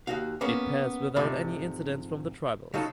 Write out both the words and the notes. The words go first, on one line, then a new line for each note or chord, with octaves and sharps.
It passed without any incidents from the tribals.
D#2 F#4 F5
A#3 B3 C#4 G#4
G#2 C3 F3 A3 D5 B5
C#3 F#3 D#4 F4 A4